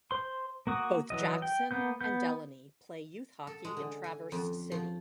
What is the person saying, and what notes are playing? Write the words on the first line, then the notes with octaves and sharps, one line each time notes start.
Both Jakson and Delaney play youth hockey in Traverse City.
C5 C6
A#3 F#4 D#6
E3 F#3 D#5
G5
A#3 B3 G6
B3 G6
A4
G#3
D3
G#5
F2
F3